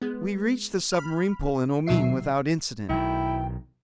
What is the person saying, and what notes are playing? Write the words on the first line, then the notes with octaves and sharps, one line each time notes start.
We reached the submarine pool in Omean without incident.
G#3 B3
B5 F6
D#2 B2 D#3 F#3 E5 C7
B1 D#3 E4 G5